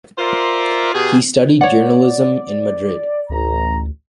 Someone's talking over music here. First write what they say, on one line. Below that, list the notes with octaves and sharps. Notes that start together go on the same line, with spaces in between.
He studied journalism in Madrid.
F4 A#4 C5 D5 E5
B2 G4 G#4
C#5 D5 F#5
A1 D2 A#5